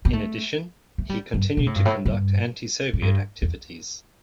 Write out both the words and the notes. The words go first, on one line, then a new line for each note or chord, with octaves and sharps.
In addition, he continued to conduct anti-Soviet activities.
B3
A3
A3
G3
G2
B2
A2
G2
A2
G2
A2
G2
E2